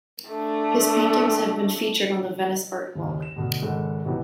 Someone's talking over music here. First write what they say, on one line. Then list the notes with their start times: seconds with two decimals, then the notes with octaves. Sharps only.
His paintings have been featured on The Venice Art Walk.
0.29 A3 D4
2.95 F#1 D#2
3.22 E7
3.36 D2 B2
3.62 G#1 C#3 G#3 A4 F#5
4.05 C#2 G#2 C3 E3 F#3 B3